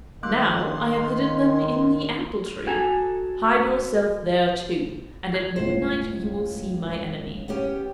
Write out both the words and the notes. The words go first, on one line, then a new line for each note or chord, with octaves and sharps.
Now I have hidden them in the apple-tree; hide yourself there too, and at midnight you will see my enemy.'
D#3 A#3 C6 D6 F#6
F#4 A4 G#5 A#5
G#6
G1 C#2 A2 C5
B3 C#4 G4